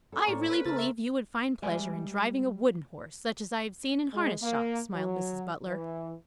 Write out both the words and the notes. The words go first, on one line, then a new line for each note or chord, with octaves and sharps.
"I really believe you would find pleasure in driving a wooden horse, such as I have seen in harness shops," smiled Mrs. Butler.
C#3 A#3 A4
A2 A#3 C5 D5 C#6
B4 C#5 F#6
C#3 A3 A#4 C5 A6
E5
G3 G#3 B4 D5 E5 G#5
G#3
A#3
F#3
E3